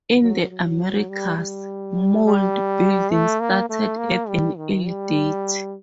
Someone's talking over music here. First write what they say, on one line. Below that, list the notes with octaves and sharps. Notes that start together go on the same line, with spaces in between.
In the Americas, mound building started at an early date.
F#3
F#3
G3
G3
G3
A3
A#3
A3
A#3
G3
D#3
G3